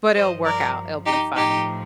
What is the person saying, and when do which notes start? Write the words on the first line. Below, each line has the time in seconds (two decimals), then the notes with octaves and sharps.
but it'll work out, it'll be fine.
0.15 G2 F3 C5 D#5
0.45 A#4 D5
1.05 D#4 G4
1.35 A2 F3 D#4 G4